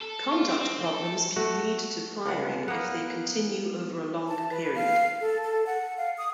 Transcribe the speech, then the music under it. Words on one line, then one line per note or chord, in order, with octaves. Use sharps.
Conduct problems can lead to firing if they continue over a long period.
A4
F4
C4
A4
A3 F#4
C#2 F#5
A#3 B3 F#5
A5
B4
F5
A4
A4
F#5
F5
D#6